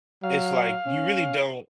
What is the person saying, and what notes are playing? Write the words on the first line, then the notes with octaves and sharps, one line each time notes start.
it's like you really don't,
F#3 F5
C#4